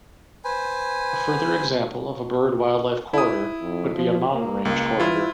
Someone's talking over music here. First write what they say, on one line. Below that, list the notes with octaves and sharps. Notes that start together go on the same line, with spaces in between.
A further example of a bird wildlife corridor would be a mountain range corridor.
B4 C5 G#5
E4 D#6
F2
F3
A#3
C#2 A#3
E3 E4 F4